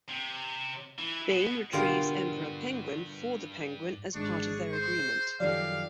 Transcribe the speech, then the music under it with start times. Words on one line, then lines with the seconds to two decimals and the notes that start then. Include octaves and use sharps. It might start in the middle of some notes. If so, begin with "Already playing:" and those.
Bane retrieves Emperor Penguin for the Penguin as part of their agreement.
0.09 C3
0.98 E3
1.30 B2
1.73 G2 B2 D3 F4 G4 A#4 F5
4.15 G#1 G#2 D4 G#4 C#6
4.73 C5
5.40 F#2 D#3 F3 F#3 G4 A4 D5 F5